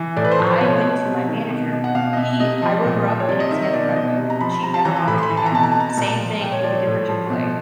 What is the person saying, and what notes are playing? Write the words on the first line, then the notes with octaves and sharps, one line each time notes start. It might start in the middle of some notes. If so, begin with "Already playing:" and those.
I went to my manager. He I wrote her up and it was handled right away. She never bothered me again. Same thing with a different Chick-fil-A.
Already playing: E3
A2 D5
B4
C5
F3
C5
B2 C#5
B2
C3
D#3
B2
B2
F#5
B2 F5
D#5
B2 E5
C3 D#5
F3
A#2
F3
C#5
C3 D5
D#5
D#3 E5
D#5
B2 D5
B2 D#5
C3
A#5
F3 B5
B5
C3 A#5
A5
E3 A#5
A#5
A2 B5
C6
B5
E3
A5
A#5
B2 A5
A#5
B2 A5
A#5
A5
A#2 A#5
A5
F3
A#2 G5
C#5
F3 D5
C#5
A2
F3
B2